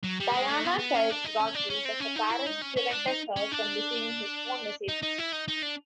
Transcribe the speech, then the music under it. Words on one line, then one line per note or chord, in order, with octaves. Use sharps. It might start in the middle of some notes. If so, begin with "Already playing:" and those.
Diana tells Rocky that her parents prevented her from receiving his phone messages.
F#3
G3
G#3
A3
B3
B3
C#4
D4
D#4
C#4
D4
C#4
C4
C#4
D#4
E4
D#4
C#4
C#4
D4
D#4
C#4
D4
D#4
D#4
E4
D#4
D#4
D4